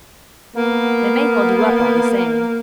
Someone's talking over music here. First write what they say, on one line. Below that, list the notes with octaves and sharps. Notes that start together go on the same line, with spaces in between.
They may hold you up all the same.
A#3 B3